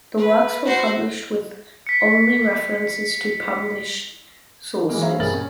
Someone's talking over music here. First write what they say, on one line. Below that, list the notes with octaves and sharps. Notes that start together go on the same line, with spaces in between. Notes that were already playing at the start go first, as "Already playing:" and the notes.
The works were published with only references to published sources.
B4
F#4 C5
B6 C#7
E3 F#3 G#3 A#3
G#4 C5 C#5 E5 F5 A#5
A#1 G2 G#4 A#4 A6 F#7
C#4